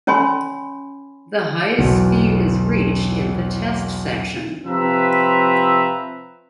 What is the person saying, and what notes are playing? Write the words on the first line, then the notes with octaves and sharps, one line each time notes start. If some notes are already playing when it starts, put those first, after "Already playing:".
The highest speed is reached in the test section.
C#4 C#5 G#5 B5 C6
B1 E2 F#3
C3 F3 C4 B4 E5 A#5